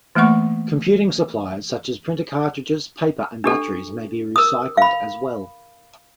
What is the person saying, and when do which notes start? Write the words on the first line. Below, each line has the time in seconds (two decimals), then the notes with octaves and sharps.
Computing supplies, such as printer cartridges, paper, and batteries may be recycled as well.
0.15 E3 A3 A#3 F#5 C#6
3.44 D4 G4 A4
4.36 A#4 D#6
4.77 F5 B5